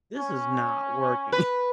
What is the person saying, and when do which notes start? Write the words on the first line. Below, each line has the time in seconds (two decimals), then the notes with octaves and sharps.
this is not working."
0.17 C#4
1.32 B4